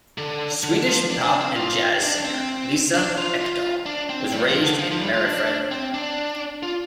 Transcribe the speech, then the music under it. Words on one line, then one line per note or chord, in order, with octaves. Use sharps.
Swedish pop and jazz singer Lisa Ekdahl was raised in Mariefred.
D3
D3
F3
D4
D4
C4
F4
D4
C4
D4
F4
F4
D4
C4
G3
F3
D3
F3
F3
G3
F4
D4
C4
D4
F4